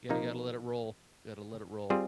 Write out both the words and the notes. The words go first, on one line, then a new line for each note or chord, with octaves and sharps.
Yeah, you gotta let it roll. You gotta let it roll.
C3 F3 A#3 D#4
G3 C4 F4 G#4 C5